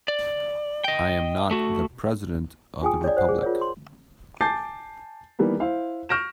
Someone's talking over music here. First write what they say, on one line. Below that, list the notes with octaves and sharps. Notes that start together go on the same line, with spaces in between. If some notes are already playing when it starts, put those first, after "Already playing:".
I am not the President of the Republic.
D5
D#5 G5
A3 F#4
D4 F4 G#4 G5 G#5 D#6
C#5 D5
C5 F#5
G#4
F4 A#4 C#5
C6
G#5 A5 D6 G6 A6 C7
D#3 E3 G3 A#3 B3
E4 C5 F5
C#6 F6 G6 A#6 D7 E7